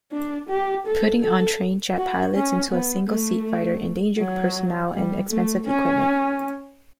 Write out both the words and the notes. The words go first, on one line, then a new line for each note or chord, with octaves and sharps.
Putting untrained jet pilots into a single-seat fighter endangered personnel and expensive equipment.
D4
G4
A4
A4
F#4
C#4
B3
A3
F#3
G3
A3
C#4